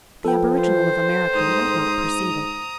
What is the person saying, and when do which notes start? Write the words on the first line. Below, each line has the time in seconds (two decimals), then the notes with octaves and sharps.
The aboriginal of America might not perceive it.
0.25 F3 A4 B4 G5
0.62 C5
1.35 G#2 A#5 D#6